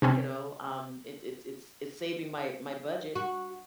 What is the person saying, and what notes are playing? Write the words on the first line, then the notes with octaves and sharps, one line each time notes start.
you know, um, it it's it's it's saving my my budget.
C3 C4 C#4
F#4